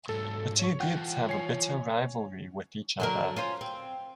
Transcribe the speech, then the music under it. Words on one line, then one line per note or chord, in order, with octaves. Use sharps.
The two groups have a bitter rivalry with each other.
G#2 F#3 A4
C#5 C#6
E3 F4 F#5 G5
C#5 G#5 C7
D3 F#3 A#4
C#4 F4 C5
C4